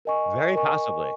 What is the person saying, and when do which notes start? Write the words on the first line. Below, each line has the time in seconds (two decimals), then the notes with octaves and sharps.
Very possibly.
0.05 A#4 D#5 G#5 C#6
0.55 A#4 D#5 G#5 C#6